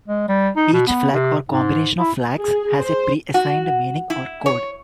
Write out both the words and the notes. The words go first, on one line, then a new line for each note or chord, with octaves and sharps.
Each flag or combination of flags has a preassigned meaning or "code".
G#3
G3
D#4
B2
B3
C3
G#2
E4
G#4
C5
F#4
E4
C#5